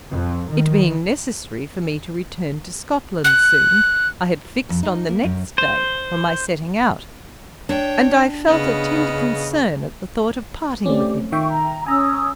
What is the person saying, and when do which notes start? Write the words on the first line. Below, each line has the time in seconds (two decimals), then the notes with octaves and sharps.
It being necessary for me to return to Scotland soon, I had fixed on the next day for my setting out, and I felt a tender concern at the thought of parting with him.
0.10 F2
0.49 D#3
3.24 F#6
4.69 F2
4.83 D#4
5.09 A#3
5.23 F#2
5.58 C5
7.69 D4 C#5 G5
8.47 C#3 B3 D#5 F6
10.86 A3 C4 C#4 G4 D5 D6
11.32 D#3 F4 E5 G5 C#6
11.51 A#5
11.86 C#4 G#5 A#5 D#6 E6